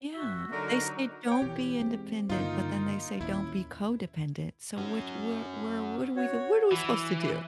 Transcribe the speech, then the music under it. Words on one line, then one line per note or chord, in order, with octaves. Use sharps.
Yeah, they say don't be independent, but then they say, don't be codependent. So which Where Where What do we go? What are we supposed to do?
F#4 E5
D3 F#3 D#4 A#4
C#5 G5
B2 E3 G4
G#3 B3 C4
G2 D3 D#3 A#3 D#4 F4
D#2 A#2 C#4 E4
C#4 F#4
F#4 C#5
E3